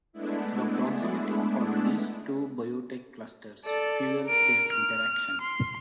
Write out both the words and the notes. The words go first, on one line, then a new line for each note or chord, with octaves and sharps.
The proximity of these two biotech clusters fuels their interaction.
G#3 A3 B3 D4 E4
A4 D5
A#4 D7
F6
C6